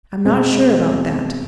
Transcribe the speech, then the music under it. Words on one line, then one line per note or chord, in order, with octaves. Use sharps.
"I'm not sure about that."
B2 G#3 C4